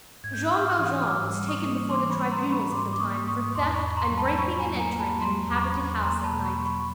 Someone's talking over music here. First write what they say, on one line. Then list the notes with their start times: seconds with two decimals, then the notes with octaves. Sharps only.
Jean Valjean was taken before the tribunals of the time for theft and breaking and entering an inhabited house at night.
0.24 G#2 G#6
0.33 G6
0.44 F#6
0.52 G#2 F6 G6
0.65 D#6 F6
0.79 E3
0.99 F6
1.07 G#2 D6 E6
1.34 G3
1.48 C#6 D#6
1.62 A#3
1.90 E3 C6 D6
2.00 D6
2.10 B5 C#6
2.17 G3
2.31 A#5 C6
2.45 G3
2.52 B5 C#6
2.72 G#2 C6 D6
2.93 D6
3.00 A#3 C#6 D#6
3.27 G#2 C#6 D#6
3.55 E2 C6 D6
3.75 B5 C#6
3.83 E2
3.92 C#6
3.97 A#5 C6
4.10 F#3
4.17 A5 B5
4.38 F#3 B5 C#6
4.59 G#5 A#5
4.66 A#3
4.79 G#5 A#5
4.93 A#3
5.00 A5 B5
5.21 F#3 A#5 C6
5.48 E2 D6
5.61 B5 C#6
5.76 E2
6.03 A#3 A#5 C6
6.24 A5 B5
6.31 B2
6.44 B5 C#6
6.59 F#3
6.65 B5 C#6